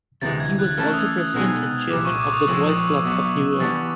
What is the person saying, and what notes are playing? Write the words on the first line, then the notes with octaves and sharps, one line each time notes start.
He was also president and chairman of the Boys' Club of New York.
D2 C3 E3 G#3 A6
G#6
F#6
E3 A3 C#4 E4 A4 F6
E6
D#6
E6
B2 G#3 C4 D#4 G#4
C2 A#2 G3 D6
C#6
D6
D#6
A#2 F3 G#3 C4 E6
B1 B2 F#3
E3 G3 B3 D4 A6